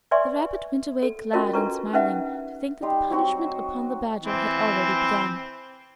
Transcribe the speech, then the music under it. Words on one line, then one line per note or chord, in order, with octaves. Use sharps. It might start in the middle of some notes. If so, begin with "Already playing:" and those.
The rabbit went away glad and smiling to think that the punishment upon the badger had already begun.
B4 D5 E5 G#5 C6 C#6
A4
C#4 F4 F#4 A#4 D#5
D4 A4 B4 A#5 C#6
C#4 D#4 B4 E5 F#5
G3 D#4 C6
F#3 C4 F#4 C6
E3 C4